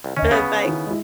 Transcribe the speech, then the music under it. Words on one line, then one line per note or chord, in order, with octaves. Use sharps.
Alright. Bye.
C2
D3 C#4 D#5 E5
C#3 B3 C#4
D#3 E4
G#3 E4